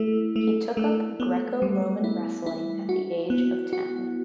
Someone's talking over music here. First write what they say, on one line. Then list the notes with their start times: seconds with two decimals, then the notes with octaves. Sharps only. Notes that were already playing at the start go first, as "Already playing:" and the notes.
He took up Greco-Roman wrestling at the age of ten.
Already playing: A3 E4
0.36 A3
0.77 A3
1.20 B3
1.62 G3
2.04 E4
2.46 E4
2.89 F#4
3.30 B3
3.73 F#4